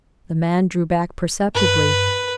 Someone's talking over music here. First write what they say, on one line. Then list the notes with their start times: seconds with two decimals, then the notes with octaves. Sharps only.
The man drew back perceptibly.
1.55 G2 B4